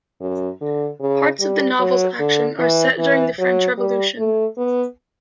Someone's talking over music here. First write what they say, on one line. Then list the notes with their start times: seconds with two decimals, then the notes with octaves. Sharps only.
Parts of the novel's action are set during the French Revolution.
0.21 F#2
0.61 D3
1.00 C#3
1.40 G3
1.79 F#3
2.20 D3
2.59 E3
2.99 E3
3.39 F#3
3.78 G3
4.18 A3
4.58 B3